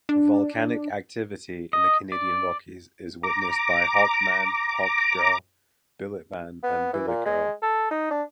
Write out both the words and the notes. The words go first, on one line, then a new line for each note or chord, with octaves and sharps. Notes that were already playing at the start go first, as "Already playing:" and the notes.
Volcanic activity in the Canadian Rockies is witnessed by Hawkman, Hawkgirl, Bulletman and Bulletgirl.
D4
D#5
D5
A#5 D6
B3
E3
A#2
G#3
A4
D#4
D4